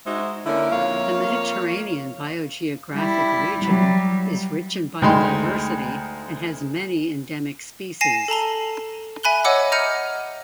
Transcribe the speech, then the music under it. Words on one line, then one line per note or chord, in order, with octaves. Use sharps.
The Mediterranean Biogeographic Region is rich in biodiversity and has many endemic species.
G#3 D#4 F#4 C5 E5
D3 A#3 C#4 E4
F2 A#3 C#5 F5
G3 E4
F#3 G3
D2 G#3 D#4 G5 B5 C6
G#5 A#6 C7 E7
A4 A5 A#5 G7
E5 G#5 B5 F#6 G7
C#5 D#5 F#5 D6 E6
D#5 A#5 F6 G6 C#7 D#7